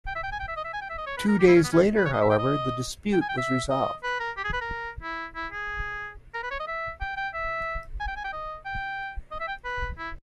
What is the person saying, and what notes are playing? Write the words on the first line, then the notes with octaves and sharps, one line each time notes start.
Two days later, however, the dispute was resolved.
G5
E5
G5
G#5
G5
E5
D#5
E5
G#5
G5
E5
D#5
C#5
B4
A#4
G4
E4
C#4
B3
C#4
B4
C#5
D#5
E5
G5
D#5
G5
G#5
G5
E5
D#5
B4
A#4
G4
G#4
B4
A#4
E4
E4
G#4
A#4
B4
C#5
D#5
E5
G5
G5
E5
G#5
G5
G#5
G5
D#5
G5
D#5
E5
G5
B4
E4